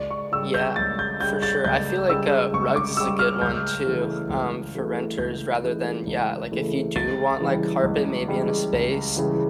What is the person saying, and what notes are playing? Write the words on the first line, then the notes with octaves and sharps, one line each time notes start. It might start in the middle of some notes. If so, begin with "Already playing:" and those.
Yeah, for sure, I feel, like, uh, rugs is a good one too, um, for renters rather than, yeah, like, if you do want, like, carpet maybe in a space?
Already playing: C#2 D5
C#6
C#3 G3 E6
G6
C#2 A6
G6
C#3 G3 G6
A6
C#2 G6
C#3 G3 E6
C#2 C#6
D6
C#3 G3 E6
F6
C#2 G6
C#3 E3 A3
C#2
C#3 E3 A3
C#2 G6
C#3 E3 A3
C#2
C#3 E3 A3
C#2 A6
C#3 E3 G3
C#2
C#3 E3 G3
C#2
C#3 E3 G3